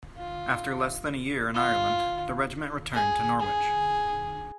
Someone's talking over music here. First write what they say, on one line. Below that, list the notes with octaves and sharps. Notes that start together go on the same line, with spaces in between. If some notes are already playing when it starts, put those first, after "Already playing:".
After less than a year in Ireland, the regiment returned to Norwich.
F4
F4
G#4
G#4